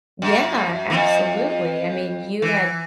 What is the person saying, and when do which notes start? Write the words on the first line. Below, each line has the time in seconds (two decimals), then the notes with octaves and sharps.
Yeah, absolutely, I mean, you had
0.22 F#2
0.90 E3
0.94 F2
2.42 E3